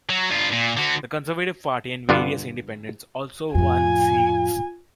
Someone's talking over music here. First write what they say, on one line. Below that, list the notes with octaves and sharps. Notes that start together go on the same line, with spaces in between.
The Conservative Party and various independents also won seats.
F#3
G2 F4
A#2
D3 F#4
G2 D3 B3 D4 F4
F2 A2 F4 G#5